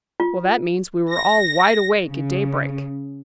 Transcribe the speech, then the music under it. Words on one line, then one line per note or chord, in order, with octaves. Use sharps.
"Well, that means we were all wide awake at daybreak."
F4
A#6
C#3